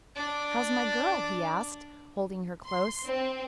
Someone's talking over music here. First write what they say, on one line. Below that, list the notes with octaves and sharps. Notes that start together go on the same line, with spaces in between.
"How's my girl?" he asked, holding her close.
D4 D5
C6
C4